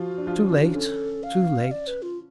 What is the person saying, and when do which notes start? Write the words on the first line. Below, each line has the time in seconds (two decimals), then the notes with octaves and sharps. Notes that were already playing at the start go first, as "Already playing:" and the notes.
Too late!--too late!
Already playing: F3 F4 F#4
0.17 D4
0.27 F3 F4
0.47 C#4
0.50 D3 D4
0.75 C#4 A4
1.23 F5
1.71 D5
1.87 B4
2.02 F4